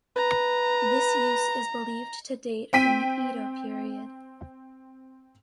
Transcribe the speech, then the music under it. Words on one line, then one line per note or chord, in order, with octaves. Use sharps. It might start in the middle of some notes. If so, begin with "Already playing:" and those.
This use is believed to date from the Edo period.
B4 A#5
C4 G5 B6 D#7